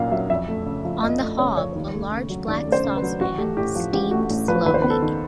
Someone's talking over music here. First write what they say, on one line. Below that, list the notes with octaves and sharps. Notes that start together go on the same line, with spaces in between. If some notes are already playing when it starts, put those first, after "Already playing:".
On the hob a large black saucepan steamed slowly.
Already playing: B1 A#2 A#3 F5
F#3 E5
F2 E5
A3
C#3
F3
F2 D#5
A3
C#3 C#5
F3 C#5
D#2
A3
C#3
F#3
D#2 D5
A3
C5
C#3
B4
F#3
A1 F#4
A3 G4
A2 G4
F3
A1 G4
A3 F#4
A2
F3 B4
D#2 B4
C5
B3 B4
A4
D#3